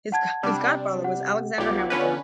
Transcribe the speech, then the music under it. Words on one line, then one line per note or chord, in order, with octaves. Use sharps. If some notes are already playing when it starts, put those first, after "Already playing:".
His godfather was Alexander Hamilton.
F#5 A5 G#6
C3 G3 D4
F#5
B1 B3 F4 G4 D5
D3 C#4 B4